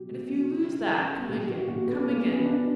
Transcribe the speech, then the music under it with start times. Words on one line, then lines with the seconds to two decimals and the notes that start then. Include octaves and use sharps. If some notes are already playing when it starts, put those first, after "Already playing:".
"And if you lose that, come again, come again."
Already playing: B2 F#3 G4
0.11 B2
0.30 F#3
0.51 C#3
0.69 G3
0.90 C#3
1.09 G3
1.29 A#2 G4
1.47 G3 F#4
1.67 A#2 F#4
1.87 G3 B3
2.06 B2 A#3
2.20 C#4
2.26 F#3 B3
2.46 B2 D4